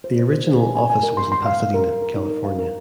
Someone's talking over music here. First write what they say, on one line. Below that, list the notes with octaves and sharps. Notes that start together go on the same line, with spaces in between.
The original office was in Pasadena, California.
C5
C5
C5
C5
G#5
G#5
G#5
A#4
C6
C6
F5
F5
A#4
A#4
A#4
D#4
A#4
F5
A#4